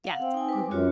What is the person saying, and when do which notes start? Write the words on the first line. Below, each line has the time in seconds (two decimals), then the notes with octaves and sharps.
Yes. Mhm.
0.04 F5 F#5
0.20 C4
0.34 D#4 G#5
0.49 B4 D6
0.71 F#2 F4 F#4 C#5